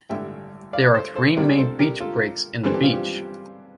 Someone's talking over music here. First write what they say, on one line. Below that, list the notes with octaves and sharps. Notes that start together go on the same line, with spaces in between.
There are three main beach breaks in the beach.
A1 G2 D3 E5 G5
D5 F5
A4 C5
A4 C5
C2 C3 G3 D4 A#4 D5
A4 C5
G4 A#4
F4 A4
G2 E3 G3 C4 A4
G4
F4
G4